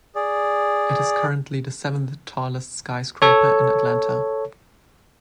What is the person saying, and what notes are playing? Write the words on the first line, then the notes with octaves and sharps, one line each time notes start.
It is currently the seventh-tallest skyscraper in Atlanta.
G#4 D5
A4 C#5